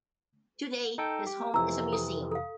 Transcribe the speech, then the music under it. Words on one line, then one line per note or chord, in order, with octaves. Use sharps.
Today his home is a museum.
D#4 A4 G5
G4
F2 C3 E3 A#5 E6
A4
A4 F5